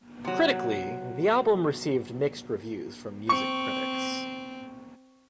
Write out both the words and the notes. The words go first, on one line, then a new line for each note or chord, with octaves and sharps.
Critically, the album received mixed reviews from music critics.
C3 F#3
C4 C#6